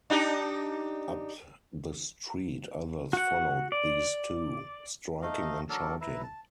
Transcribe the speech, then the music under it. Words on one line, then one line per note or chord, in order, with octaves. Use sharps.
Up the street others followed these two, striking and shouting.
D4 D#4 G4
F#4 F#5
D5
A3 D#4 D#5 F5
F#3 D4 A4 A#4
E4 B4 E5 A#5
A5